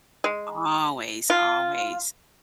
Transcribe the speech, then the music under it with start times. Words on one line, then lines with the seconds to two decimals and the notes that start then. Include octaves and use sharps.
Always, always.
0.24 G#3
1.30 F4